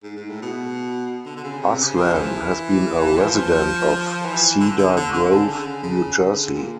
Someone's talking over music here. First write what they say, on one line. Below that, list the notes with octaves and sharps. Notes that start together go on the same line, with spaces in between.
Uslan has been a resident of Cedar Grove, New Jersey.
G#2
G#2
A2
B2
D3
D3
C#3
C3
C#3
F3
E3
F3
E3
D3
D3
D3
D3
C#3
D3
C#3
C#3
D3
A#2